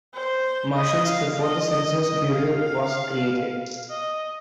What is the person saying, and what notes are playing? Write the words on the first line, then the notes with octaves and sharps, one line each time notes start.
Marshals before the Census Bureau was created.
C5
D#5
F5
D#5
D#5
D#5
F5
D#5